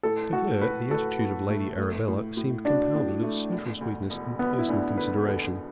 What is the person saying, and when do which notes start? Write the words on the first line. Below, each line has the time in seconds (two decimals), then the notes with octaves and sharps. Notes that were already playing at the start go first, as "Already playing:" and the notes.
To her, the attitude of Lady Arabella seemed compounded of social sweetness and personal consideration.
0.03 A2 A4
0.32 A2 F#4
0.62 A2 B4
0.91 A2 A4
1.20 A2
1.50 A3
1.78 A3
2.08 A2
2.37 A2
2.65 D4 F#4
2.95 A2
3.23 A3
3.52 E1
3.81 D2
4.10 E1
4.39 E1 B3
4.59 E4
4.69 D2 D4
4.98 D3 B4
5.26 E1 A4